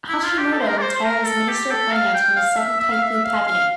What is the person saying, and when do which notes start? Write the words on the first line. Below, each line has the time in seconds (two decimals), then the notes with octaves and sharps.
Hashimoto retired as Minister of Finance from the Second Kaifu Cabinet.
0.08 E4
0.23 F4
0.38 G4
0.52 A4
0.60 C5
0.67 A#4
0.78 D5
0.82 C5
0.95 C5
1.04 A#4
1.26 A4
1.48 G4
1.70 A4
1.92 F5
2.14 G5
2.36 F5
2.50 F5
2.58 E5
2.80 E5
2.92 F5
3.03 E5
3.24 F5
3.47 F5